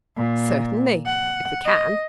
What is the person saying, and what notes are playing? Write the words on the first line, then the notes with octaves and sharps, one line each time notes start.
"Certainly--if we can."
A#2
F#5
D#5